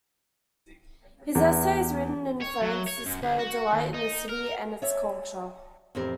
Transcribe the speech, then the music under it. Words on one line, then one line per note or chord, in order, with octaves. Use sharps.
His essays written in France display a delight in the city and its culture.
E2 B3
C#5
F#3
C#5
F#2
D2
F#4
D#2
D#4
A#4
C#5 D5 E5
F2 A2 E3 C4 G4 A#4